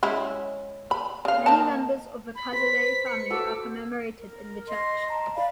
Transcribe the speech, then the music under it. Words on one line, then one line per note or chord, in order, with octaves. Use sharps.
Many members of the Cazalet family are commemorated in the church.
G#3 C#4 E4
B5
C#3 F5
D#3 A#3 A5
B5
B4 C5 B6
C#7
F#4 A4 D6 E6
A#4
D#5 C6
A5 A#5
D5 F5 B5